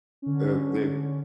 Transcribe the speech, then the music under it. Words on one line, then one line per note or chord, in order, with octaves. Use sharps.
uh they
D3 C#4